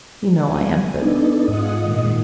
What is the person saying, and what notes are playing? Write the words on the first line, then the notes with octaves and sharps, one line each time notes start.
You know I am good.
G#5
B3 D4 D#4 A4
G#2 F4 G#4 D#5 F#5
A#2 D#3